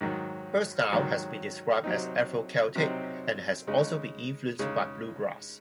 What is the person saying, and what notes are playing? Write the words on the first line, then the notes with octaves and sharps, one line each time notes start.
Her style has been described as "Afro-Celtic" and has also been influenced by bluegrass.
G#2 D#3 F#3
G#2 D#3 F#3
C3 F#3 C4 D#4
C3 F#3 C4 D#4
C#3 G#3 D#4
C#3 G#3 D#4